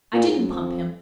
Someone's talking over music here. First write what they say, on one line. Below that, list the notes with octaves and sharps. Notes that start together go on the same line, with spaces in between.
I didn't pump him.
A#2
G#2
F#2
F2